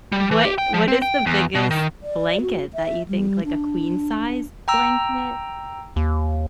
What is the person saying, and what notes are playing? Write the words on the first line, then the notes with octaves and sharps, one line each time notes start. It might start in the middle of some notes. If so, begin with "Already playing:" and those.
what what is the biggest blanket that you think, like, a queen-size blanket?
G3
E3
G4
G5
F3
C4
G5
E2
B2
D#3
D5
F#4
E5
G3
D4
G5 A#5 E6
D#2